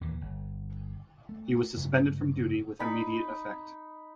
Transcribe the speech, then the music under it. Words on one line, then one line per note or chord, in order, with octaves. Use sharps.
He was suspended from duty with immediate effect.
D#2 A#2 E3
G1
A3
G2 C#3 F#3 A3
D#4 B5